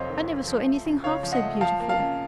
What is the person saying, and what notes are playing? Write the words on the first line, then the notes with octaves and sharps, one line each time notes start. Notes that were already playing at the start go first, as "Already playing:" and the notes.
I never saw anything half so beautiful!
Already playing: F1 F2 F#3 C5 C#5 D#5 F5
D#3
F#3
F3
A3
C#3
C#2 C#5 F5
F3
D#5 F#5
A3
F3 F5 A5
A#3
F5 A5
C#3